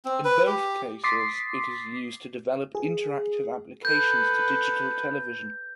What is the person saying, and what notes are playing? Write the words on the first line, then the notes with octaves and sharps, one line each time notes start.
In both cases it is used to develop interactive applications to digital television.
C4
B4
G4
C6 D6 D#6 A6 B6 C7
G#4
A4 B4 G6